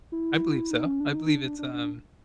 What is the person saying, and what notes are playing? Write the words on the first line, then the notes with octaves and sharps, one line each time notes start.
I believe so. I believe it's, um
E4
D#4
C#4
D4
D#4
D4
D4
D4
D4